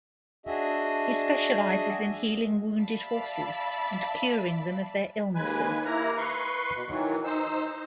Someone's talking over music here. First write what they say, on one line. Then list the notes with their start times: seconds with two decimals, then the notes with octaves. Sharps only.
He specialises in healing wounded horses and curing them of their illnesses.
0.46 D4 F#4 G#4 D#5 E5
2.81 D5 E5 F5 A5 B5
5.35 D#2 G#3 B4 G#5
5.86 A#3 E4 A#5 F6
6.17 B4 C6 C#6
6.75 B2
6.88 D#3 E3 F#3
7.24 D#4 C5 E6